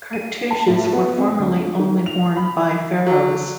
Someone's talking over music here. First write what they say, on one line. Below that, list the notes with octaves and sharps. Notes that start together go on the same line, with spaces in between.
Cartouches were formerly only worn by Pharaohs.
D#7
A5
A2
B3
C4
D2
D#3
F7
B5
F#3